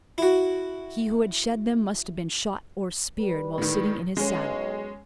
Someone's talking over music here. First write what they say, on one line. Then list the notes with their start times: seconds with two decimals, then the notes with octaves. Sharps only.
He who had shed them must have been shot, or speared, while sitting in his saddle.
0.18 E4 F#4
3.19 G3 B4
3.58 A2 D#3
4.17 B1 G#3 C#4